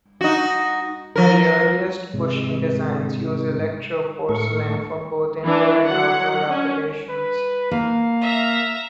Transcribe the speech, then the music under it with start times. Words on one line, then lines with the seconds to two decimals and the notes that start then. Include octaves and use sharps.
The earliest bushing designs use electro porcelain for both indoor and outdoor applications.
0.21 D#4 F#4
1.16 F3 A#4
2.14 G#2 C3 G#3
4.29 A2 A3 A4 A#4 C#6
5.45 E3 D4
5.84 F#3 F#5
6.49 C#4
7.09 B4
7.71 A#3 F5
8.21 E5 A#5